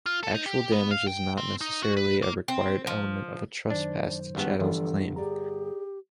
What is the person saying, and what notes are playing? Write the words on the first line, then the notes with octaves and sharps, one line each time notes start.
Actual damage is not necessarily a required element of a trespass to chattels claim.
F4
A4
D#4
G4
B3
F5
G5
C4
D#4
F#4
B4
A#3
C4
F3
F#2 D#3 D4 C5
G#1 G2 B3
G1 E3 F3 D4 A4 D5
G4 G#4 D5 A#5